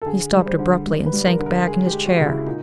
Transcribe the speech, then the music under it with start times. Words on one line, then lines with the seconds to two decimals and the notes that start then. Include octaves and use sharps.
He stopped abruptly, and sank back in his chair.
0.02 A4
0.06 D3 G#4
0.33 G3
0.46 C5
0.59 D3
0.87 G3
1.06 B4
1.13 G3
1.27 A#4
1.39 D3
1.46 A#4
1.66 G#3 G#4
1.87 G4
1.93 G#3
2.07 F#4
2.20 C#3
2.26 E4
2.46 A#2 D#4